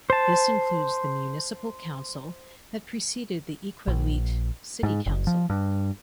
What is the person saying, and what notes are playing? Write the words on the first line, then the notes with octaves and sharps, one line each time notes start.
This includes the municipal council that preceded the Iqaluit City Council.
C5 A5
A#1
G#2
F#1
F3
G2